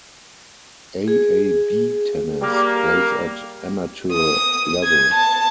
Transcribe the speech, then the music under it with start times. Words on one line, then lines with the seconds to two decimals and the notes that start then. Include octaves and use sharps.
AaB Tennis plays at amateur level.
1.08 G#4
2.42 G3 A#3
4.13 D#6
4.84 G#6
5.14 A5